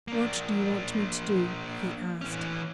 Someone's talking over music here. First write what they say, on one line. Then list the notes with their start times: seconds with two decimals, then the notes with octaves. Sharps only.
"What do you want me to do?" he asked.
0.08 A#3 D4
2.22 E3 C#4